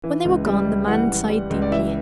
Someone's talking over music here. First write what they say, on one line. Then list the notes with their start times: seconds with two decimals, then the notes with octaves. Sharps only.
When they were gone, the man sighed deeply.
0.04 E3
0.25 C#2
0.46 G3
0.67 C#2
0.87 E3 F#5
1.09 E3
1.29 G3
1.50 C#2
1.62 D5
1.71 E3 E5